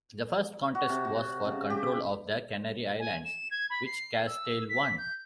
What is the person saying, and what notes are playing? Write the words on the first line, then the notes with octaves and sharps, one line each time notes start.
The first contest was for control of the Canary Islands, which Castile won.
F#4
C3
F#4
C#3
G4
G#5
E7
G#6
B5
C7
E6
B6
G6